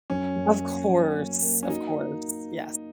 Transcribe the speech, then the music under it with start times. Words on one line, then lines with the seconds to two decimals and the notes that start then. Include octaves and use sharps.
Of course. Of course. Yes.
0.10 F#2 C#4
0.36 F#2
0.62 A#3
0.89 F#2
1.17 A#3
1.42 A#3
1.63 C#4
1.69 D#4 F#4
1.97 A#3